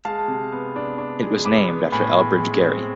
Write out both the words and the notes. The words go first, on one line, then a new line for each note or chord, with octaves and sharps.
It was named after Elbridge Gerry.
G#3 F5 A5
C3
B3
D4
D4
G#3
B3 B5 D6
B3
A2 G#5 B5
G#3
G#3
C4